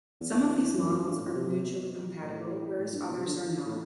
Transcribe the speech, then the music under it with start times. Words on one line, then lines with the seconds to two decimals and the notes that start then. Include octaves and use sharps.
Some of these models are mutually compatible, whereas others are not.
0.21 E2
0.35 E2
0.78 F#2
1.07 G2
1.16 A2
1.26 F#2
1.35 C3
1.50 C3
1.64 B2
2.22 A2
2.79 A2
2.93 G2
3.08 B2
3.18 C3
3.26 D3
3.66 A2